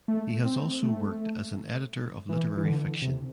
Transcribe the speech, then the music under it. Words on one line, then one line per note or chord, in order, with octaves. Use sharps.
He has also worked as an editor of literary fiction.
A3
C4
A3
E3
E3
D3
C3